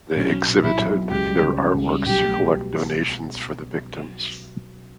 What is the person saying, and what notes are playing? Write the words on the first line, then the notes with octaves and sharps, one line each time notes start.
They exhibited their artworks to collect donations for the victims.
B1 C#4
F#3
B2
B1 E4
B1
F#3
C#2 G4
G3
C#3
C#4
C#2
G3
B1 G4
A3
B2